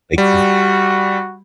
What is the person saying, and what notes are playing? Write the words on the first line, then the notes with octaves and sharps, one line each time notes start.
Like v
G3 F#4